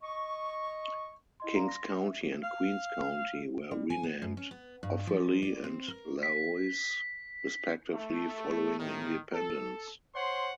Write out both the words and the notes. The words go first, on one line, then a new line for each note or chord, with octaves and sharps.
King's County and Queen's County were renamed Offaly and Laois respectively following independence.
D#5 C#6
E4 D#5 C6
D5 F5 A#5 C6
C6 A#6
E5
F5
G3
G#5
B3
F#2
C#4
B3
G2
F3
D5
C4
A#4
B6
A3
A2 D#3
A4
C5 C#5 F#5 C6